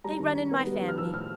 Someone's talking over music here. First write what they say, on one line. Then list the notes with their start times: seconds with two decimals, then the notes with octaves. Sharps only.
They run in my family.
0.04 G3 A#5
0.20 D#3
0.36 D#3
0.51 B3
0.67 G3
0.82 D#3
0.88 F6
0.98 F3 E6
1.13 A2 F6